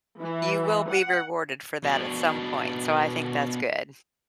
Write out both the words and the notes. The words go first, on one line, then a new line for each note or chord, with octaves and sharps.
you will be rewarded for that at some point, so I think that's good.
E3
F#5
B2 D4